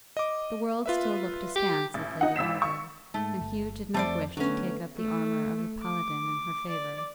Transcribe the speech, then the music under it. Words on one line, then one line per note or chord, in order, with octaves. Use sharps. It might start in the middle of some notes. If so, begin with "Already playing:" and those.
The world still looked askance at Lady Ongar, and Hugh did not wish to take up the armor of a paladin in her favor.
D#5 D6
F4 B4 E5
G4
A1
D#4 F#5
G#1 E6 B6 E7
C#6
G#2 A3
G1
F2 A3 C5 D5
D3 F#3 A3 B3 C#4
A3
D6
D5